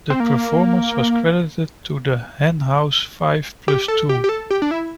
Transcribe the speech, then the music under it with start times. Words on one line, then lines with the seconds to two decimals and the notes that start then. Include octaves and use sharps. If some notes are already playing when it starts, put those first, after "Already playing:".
The performance was credited to the "Henhouse Five Plus Too".
0.10 C4
0.20 A#3
3.68 G4
3.88 A4
4.09 G4
4.24 G4
4.29 A4
4.50 G4
4.62 D4
4.71 E4